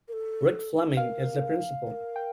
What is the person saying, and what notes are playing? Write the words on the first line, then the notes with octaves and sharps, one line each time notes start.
Rick Fleming is the Principal.
A#4
A4
A#4 B4 F5
B4
A#4
G5